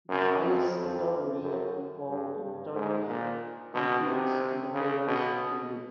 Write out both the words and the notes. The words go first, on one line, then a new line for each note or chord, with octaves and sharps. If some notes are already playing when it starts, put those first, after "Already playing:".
The highest category of Football in Turkey competes in the Turkish Super League.
F#2
F2
F2
F#2
G2
G2
G#2
A#2
B2
C3
C#3
B2